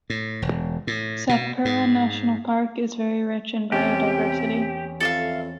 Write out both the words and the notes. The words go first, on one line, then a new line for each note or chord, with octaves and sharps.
Satpura National Park is very rich in biodiversity.
A2
E1
A2
B2
G#2
E2 C3 C#4 G4
F2 A4 E5 F5